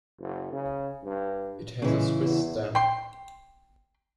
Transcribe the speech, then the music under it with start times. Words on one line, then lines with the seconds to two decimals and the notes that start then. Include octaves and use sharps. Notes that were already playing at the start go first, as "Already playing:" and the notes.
It has a Swiss stamp.
0.19 F#1
0.52 C#3
1.04 G2
1.82 C#3 E3 G#3
2.22 E2
2.75 G5 C6